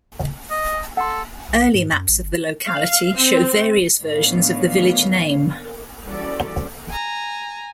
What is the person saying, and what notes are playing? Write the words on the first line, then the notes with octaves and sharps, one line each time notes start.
Early maps of the locality show various versions of the village name.
D#5
A4 F#5 C6
B1
G#2
F#2
A1
G1
F5
C4
A2 D#3 B3 D4 C#5 F5
E3 G3 C#4 F#4 A4 D5
G#5 A#5